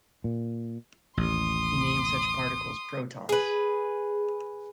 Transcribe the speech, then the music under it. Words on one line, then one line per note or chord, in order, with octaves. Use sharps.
He named such particles protons.
A#2
A1 D#2 C6 D#6
G#4 B4